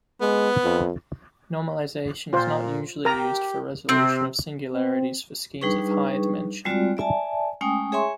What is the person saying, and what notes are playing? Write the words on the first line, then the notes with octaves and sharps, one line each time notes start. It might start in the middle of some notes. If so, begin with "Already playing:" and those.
Normalization is not usually used for resolution of singularities for schemes of higher dimension.
G#3 B3
F2
A#2 F4 C5
G4 A#4 A#5
C3 C4
C4
G3 D4 D#4 G#4 B4 C#6
G3 G#3 C4 F4 F#4 D5
D5 E5 G#5 A5
G#3 A3 C#4 G5 G#5 D#6
G#4 C#5 E5 G#5 C6 C#6